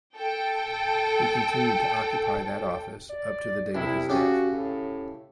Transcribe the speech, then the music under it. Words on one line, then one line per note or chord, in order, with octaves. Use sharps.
He continued to occupy that office up to the date of his death.
A4 G5
D5
C2 E4
C#3 F#4 G4 A4
A2